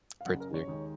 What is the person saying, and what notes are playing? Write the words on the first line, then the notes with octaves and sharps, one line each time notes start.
Pray clear
F5
F#1 F#2 C#3 F#5
A#4
C#5
D#2 D#3 G#3